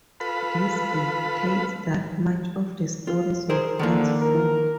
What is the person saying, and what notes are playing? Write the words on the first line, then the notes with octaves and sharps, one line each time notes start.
This indicates that much of the stories were fanciful.
F4 A4 B4 B5
F4
G#4 A#4 C5
D3 D#3 A#3
A#4